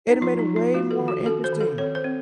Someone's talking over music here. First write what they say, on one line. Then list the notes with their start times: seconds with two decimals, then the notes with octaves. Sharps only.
it'd a made it way more interesting
0.09 D#4
0.21 F3 F4
0.39 D#4
0.47 F3
0.56 F4
0.74 A3 F#4
0.91 A4
0.99 D#3
1.08 F#4
1.26 C#4 A4
1.44 C5
1.52 D#3
1.61 A4
1.78 C4 C#5
1.95 C5
2.04 C4